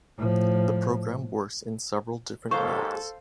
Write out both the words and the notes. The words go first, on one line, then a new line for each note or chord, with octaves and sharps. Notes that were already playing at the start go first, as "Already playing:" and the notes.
The program works in several different modes.
A2 F3
D#2 G#2 A4 C5 F5 C#6